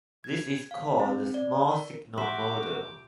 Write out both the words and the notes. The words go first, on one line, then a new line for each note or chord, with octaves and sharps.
This is called the "small-signal model".
G#6
F5
C4
D5
A#4
F#4 G4 E5 C6 D6